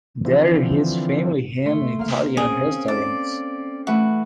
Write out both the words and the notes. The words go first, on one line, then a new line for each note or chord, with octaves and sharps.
There his family ran Italian restaurants.
D3 E3 F3 C4
A3 C6
A#3 F5
C4 C#4 G#4
A4 D5
E3 A3 F#4 B4